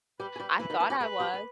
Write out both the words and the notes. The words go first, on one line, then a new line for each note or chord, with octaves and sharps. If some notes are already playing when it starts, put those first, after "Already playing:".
I thought I was.
G3 G4 B4
G#4
G3 G4
E3 E4 B4
D#3 D#4
E3 E4
G3 G4
G#3 G#4 B4
G3 G4
G#4